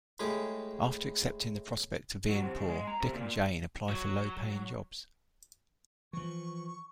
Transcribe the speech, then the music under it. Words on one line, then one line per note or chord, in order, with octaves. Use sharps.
After accepting the prospect of being poor, Dick and Jane apply for low-paying jobs.
A2 G#3 G4 G#4 G#5 D6
F#3
C3
C#3
G#3
A#5
C3
A#2
F#3
E3 F3 C#6